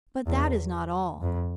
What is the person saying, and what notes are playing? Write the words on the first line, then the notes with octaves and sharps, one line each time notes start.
But that is not all.
E2
F2